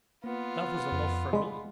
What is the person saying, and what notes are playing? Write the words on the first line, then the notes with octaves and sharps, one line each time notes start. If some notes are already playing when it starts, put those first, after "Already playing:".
'That was enough for me.
A#3 B3 F4
F2
G#3 D5 B5 C6